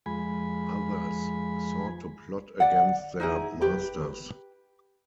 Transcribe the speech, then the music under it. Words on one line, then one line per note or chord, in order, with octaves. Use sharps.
Others sought to plot against their masters.
F2 G#3 G#5 B5
D5 F#5
D#4 E4 G#4
G4 B4